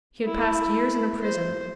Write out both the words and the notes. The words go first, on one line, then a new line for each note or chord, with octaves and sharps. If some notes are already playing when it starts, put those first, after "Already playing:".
He had passed years in a prison.
E4
C5